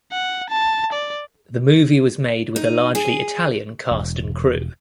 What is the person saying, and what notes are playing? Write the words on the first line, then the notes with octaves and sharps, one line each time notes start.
The movie was made with a largely Italian cast and crew.
F#5
A5
D5
D#4
G#4
E1